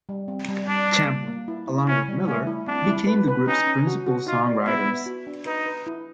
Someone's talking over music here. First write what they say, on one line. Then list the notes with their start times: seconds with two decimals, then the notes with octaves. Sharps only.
Champlin, along with Miller, became the group's principal songwriters.
0.09 G3
0.28 C4
0.49 G3
0.68 G3 D4
0.88 G3
1.07 A#3
1.28 A#3
1.48 E4
1.67 E4
1.87 C#4 E4
2.08 G3
2.27 A3 C#4
2.47 E4
2.67 C4 D4
2.87 E4
3.07 B4
3.28 B4
3.48 C#4 D#4
3.67 C#4
3.87 F#4
4.06 F#4
4.27 D#4 F4
4.47 D5
4.66 B3 E4
4.86 B3
5.06 F#4
5.27 D4
5.46 D#4 B4
5.66 B4
5.87 E4